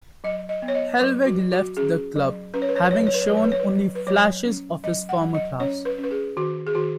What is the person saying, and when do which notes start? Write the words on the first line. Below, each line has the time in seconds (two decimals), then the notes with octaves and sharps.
Helveg left the club, having shown only flashes of his former class.
0.24 F#3 D#5
0.49 D#5
0.62 B3
0.68 C#5
0.75 D#5
1.00 F#3 B4
1.26 F#4
1.39 F#3
1.52 F#4
1.77 C#4 G#4
2.16 F#3
2.54 C#4 B4
2.62 C#5
2.69 B4
2.76 C#5
2.84 B4
2.91 F#3 C#5
2.99 B4
3.07 C#5
3.14 B4
3.22 C#5
3.29 F#3 B4
3.37 C#5
3.44 B4
3.52 C#5
3.59 B4
3.69 F#3
3.95 B4
4.07 F#3 C#5
4.45 C#4
4.84 F#3 D#5
5.09 F#5
5.22 F#3
5.35 D#5
5.60 C#4 C#5
5.85 B4
5.98 C#4
6.04 B4
6.11 G#4
6.37 D#3 F#4
6.67 G#4
6.75 D#3 F#4